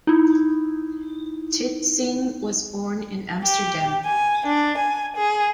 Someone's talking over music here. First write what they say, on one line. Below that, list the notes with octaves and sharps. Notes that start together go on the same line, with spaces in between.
Titsingh was born in Amsterdam.
D#4 E4
G4
G#5
D4
G#5
G#4